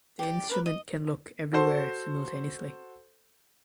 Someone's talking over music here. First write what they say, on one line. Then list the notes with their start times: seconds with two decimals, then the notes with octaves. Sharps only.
The instrument can look everywhere simultaneously.
0.19 G4 D5
0.49 A#4 B4 B5
0.66 D#5
1.53 F#4 A4 C5 C6